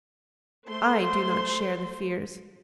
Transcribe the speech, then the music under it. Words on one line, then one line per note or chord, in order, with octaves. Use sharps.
I do not share the fears.
A3 C5 C6